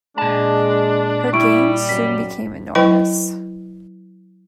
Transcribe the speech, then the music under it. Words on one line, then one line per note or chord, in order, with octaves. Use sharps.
Her gains soon became enormous.
A#2 G#3 D4 A5
G3 E4 C#6 D7
F#2 B6
F#3 E4 B4 D#5 G5 C#6